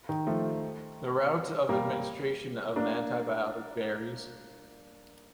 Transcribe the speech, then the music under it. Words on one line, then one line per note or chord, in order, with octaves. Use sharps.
The route of administration of an antibiotic varies.
D#3
F3 A3
G3 A#3
A#3 D4